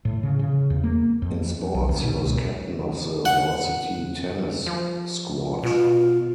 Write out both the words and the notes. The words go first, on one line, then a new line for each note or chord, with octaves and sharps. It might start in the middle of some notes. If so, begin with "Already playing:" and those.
In sports, he was captain of the varsity tennis squad.
A2
C#3
C#3
E2
A#3
F2
B1
D2
B2
C#2
F#5
F3
B2 F4